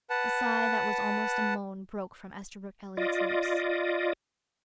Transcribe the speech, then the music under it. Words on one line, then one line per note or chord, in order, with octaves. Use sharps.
A sigh that was almost a moan broke from Esterbrook Elliott's lips.
B4 F#5 A5
F4 D5 D#5